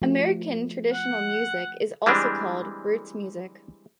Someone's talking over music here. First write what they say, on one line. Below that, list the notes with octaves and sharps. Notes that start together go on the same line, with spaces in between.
American traditional music is also called roots music.
F3 A3 F#4
F#5
E3 G3 G#3 C4 D4